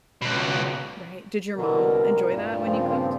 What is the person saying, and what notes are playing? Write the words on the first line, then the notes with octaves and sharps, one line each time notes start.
Right. Did your mom enjoy that when you cooked?
C#2 B2
C2 B2 D3 A#4
G2 A#2
C#3 F3 C4